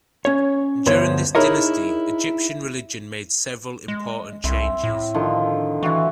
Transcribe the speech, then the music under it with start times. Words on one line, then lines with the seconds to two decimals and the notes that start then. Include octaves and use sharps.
During this dynasty, Egyptian religion made several important changes.
0.25 C#4 C#5
0.86 D2 G2 D3 B3 C5 C#5
1.35 D#4 E4 G#4 A#4 C#5 D#5
3.88 G#3
4.44 C2 C4 E4
4.83 A2
5.14 D3 D#3 F3
5.83 E3 E4 F#4